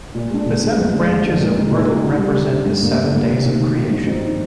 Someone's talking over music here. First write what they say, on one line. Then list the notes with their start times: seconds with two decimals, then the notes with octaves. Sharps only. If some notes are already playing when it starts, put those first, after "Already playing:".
The seven branches of myrtle represent the seven days of creation.
0.15 A#2
0.30 G#3 D4
0.46 A#2
0.62 G#3 D4
0.78 F2
0.93 D3 G#3 D4
1.09 F2
1.24 D3 G#3 D4
1.40 A#2
1.55 G#3 D#4
1.71 A#2
1.87 G#3 D#4
2.03 D3
2.18 G3 D4
2.35 D3
2.51 G3 D4
2.66 G2
2.81 D3 G3 A#3
2.98 G2
3.12 D3 G3 A#3
3.29 C3
3.44 D#3 A#3
3.60 C3
3.75 D#3 A#3
3.91 G2
4.07 F3 C4 D#4